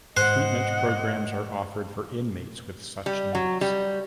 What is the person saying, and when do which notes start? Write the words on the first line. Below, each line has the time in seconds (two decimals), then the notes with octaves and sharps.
Treatment programs are offered for inmates with such needs.
0.17 G#2 C5 D#5 F#5 F#6
3.06 G3
3.35 F#3
3.61 G3